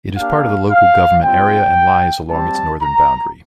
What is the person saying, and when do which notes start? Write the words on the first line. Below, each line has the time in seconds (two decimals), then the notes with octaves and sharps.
It is part of the local government area, and lies along its northern boundary.
0.17 A#3 D4 G4 F5
0.70 F5
1.22 G3 C4 F4 G5
2.28 G3 C4 G4 A5
2.81 A#5